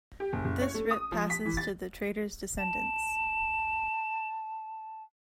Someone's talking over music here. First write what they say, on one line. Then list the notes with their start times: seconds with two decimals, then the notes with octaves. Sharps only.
This writ passes to the Trader's descendants.
0.20 G4
0.33 F#1
0.45 F#1
0.61 C#5
0.74 A3
0.91 D#6
1.12 F3
1.30 B6
1.45 E3
1.57 A6
2.58 A5 E7